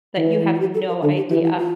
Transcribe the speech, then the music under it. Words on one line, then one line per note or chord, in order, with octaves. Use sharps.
that you have no idea
E3
F4
G4
A4
A#4
D3 A4
G4
E3 G4
E4
F4